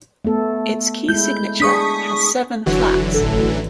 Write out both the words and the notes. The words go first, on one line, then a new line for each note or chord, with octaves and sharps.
Its key signature has seven flats.
A3 B3 A4
G#3 E4 G6
D4 G#4 C#6 D#6 B6
F#1 D3 E3 F#3 F#4
A1 A4